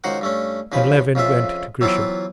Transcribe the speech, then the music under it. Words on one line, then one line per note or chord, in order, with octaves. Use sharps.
And Levin went to Grisha.
C#2 D#3 F#4 C5 F#5
G2 A3 C#4
D#2 C#3 F3 B4
F2 C#3 F4 E5
E3 F#3 B3 C4 E4 F4